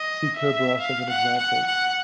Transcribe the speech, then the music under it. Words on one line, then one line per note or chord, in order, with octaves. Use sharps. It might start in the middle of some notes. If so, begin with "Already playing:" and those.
See Kerberos as an example.
Already playing: D#5
E5
F5
F#5
F#5
F#5